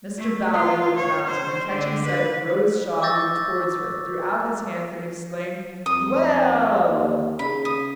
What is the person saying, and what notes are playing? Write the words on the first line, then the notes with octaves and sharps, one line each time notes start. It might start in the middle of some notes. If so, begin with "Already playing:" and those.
Mr. Bowley looked round him, and catching sight of Rose Shaw moved towards her, threw out his hands, and exclaimed: "Well!"
A3
F4
C#5
C5
D3
B4
C#6 D6 E6 G6 A6 A#6
F2 D#6
D#2
C#3 B5
D#6